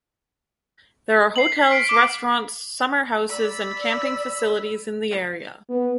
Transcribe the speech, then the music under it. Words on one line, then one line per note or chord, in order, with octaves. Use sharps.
There are hotels, restaurants, summer houses and camping facilities in the area.
C7 F#7
B6
F6 B6 C7 D7
D6
D5 B5 E6
B3